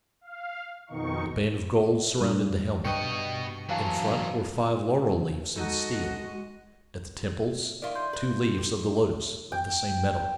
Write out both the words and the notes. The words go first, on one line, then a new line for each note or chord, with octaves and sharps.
A band of gold surrounded the helmet; in front were five laurel leaves in steel; at the temples two leaves of the lotus of the same metal.
F5
F2 B2 D#3 D#4 C#6
G2 D#7
G2 B2 B4 D#5 G5 C#6 C#7
E3 F#3 B4 F5 A5
G#3 D#4 F#4 A4 D#5
D#3 E4 F4 D5
C6 G6
B4
F2
G4
G5